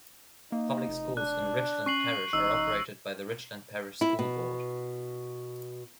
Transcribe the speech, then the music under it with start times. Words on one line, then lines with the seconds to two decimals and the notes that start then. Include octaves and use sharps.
Public schools in Richland Parish are operated by the Richland Parish School Board.
0.52 A#3 D#4
0.88 F1
1.17 D4 F#6
1.86 C#4 C#6 C7 F#7
2.33 A1 D#4 E6
4.01 E4
4.19 B2